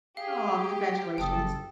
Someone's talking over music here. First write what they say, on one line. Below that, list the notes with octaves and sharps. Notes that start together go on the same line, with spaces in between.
Aw, congratulations.
G4 G#4 F5
F#1 A4 G5 D#6